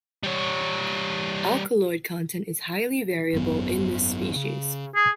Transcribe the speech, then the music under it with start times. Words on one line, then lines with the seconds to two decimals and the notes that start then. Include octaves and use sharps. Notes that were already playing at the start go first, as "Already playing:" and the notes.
Alkaloid content is highly variable in this species.
0.23 G3 C#5
3.33 G#1 F#2 B3
4.36 C#3
4.95 G#4